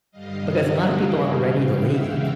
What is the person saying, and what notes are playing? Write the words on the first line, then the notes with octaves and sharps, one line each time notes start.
because a lot of people aren't ready to leave,
G2 D3 G3 D#5 F5
E5 F#5
F5 G5
F#5 G#5
C#3 E3 G#3 F5 G5
E5 F#5